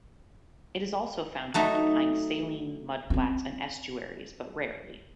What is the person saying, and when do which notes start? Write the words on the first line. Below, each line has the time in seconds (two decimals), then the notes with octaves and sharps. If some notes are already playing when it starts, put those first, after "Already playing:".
It is also found occupying saline mudflats and estuaries, but rarely.
1.54 F#3 A3 D#4
3.10 C4 C#4